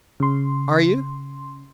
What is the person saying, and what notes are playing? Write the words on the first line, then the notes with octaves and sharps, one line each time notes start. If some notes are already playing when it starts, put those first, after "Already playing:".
"Are you?"
C#3 C6